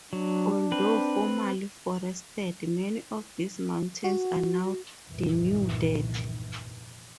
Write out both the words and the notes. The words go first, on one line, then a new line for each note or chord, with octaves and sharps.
Although formerly forested, many of these mountains are now denuded.
F#3 D4
C4 B4
F#4
G1 C2 F2 A#2 D#3 E3